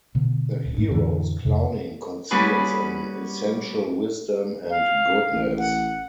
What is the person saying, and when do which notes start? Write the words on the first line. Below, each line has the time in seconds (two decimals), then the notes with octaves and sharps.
The hero's clowning conceals an essential wisdom and goodness.
0.15 B2 D3 B3
0.65 D1
0.78 G#2 A3 A#3
0.90 F2 A2 D3 E3
1.45 F2 C3
2.31 G3 A#3 C#4 F#4 G#4 B4
4.70 F5
5.32 A1
5.58 F#5